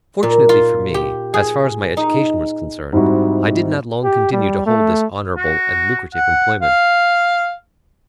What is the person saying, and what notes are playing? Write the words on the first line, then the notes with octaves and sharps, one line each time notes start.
Fortunately for me, as far as my education was concerned, I did not long continue to hold this honourable and lucrative employment.
A#2
F4
G4
G#4
D#4
G#2 G3 C4 D#4 E4 F#4
G4
G3
A3
F#4
F#5
F5